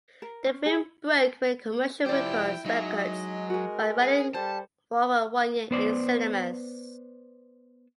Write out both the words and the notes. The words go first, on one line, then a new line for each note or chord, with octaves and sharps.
The film broke many commercial records by running for over one year in cinemas.
A#4
C#4
G#4
F3 E4 G4 C5 D5 G5
F#3 G#3 D#4 D#5 E5
F#4 G#4 A#4
G#4 B4
G3 A4 C5 A5
B3 C5 D5